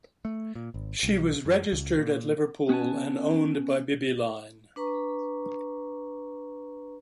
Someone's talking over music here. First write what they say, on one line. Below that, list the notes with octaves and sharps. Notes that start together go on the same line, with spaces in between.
She was registered at Liverpool and owned by Bibby Line.
A3
A#2
G#1
B1
F#2
C#2
A#2
B3 C#4 B4 F#5 G#5 A5
D4 B4 A#5 C#6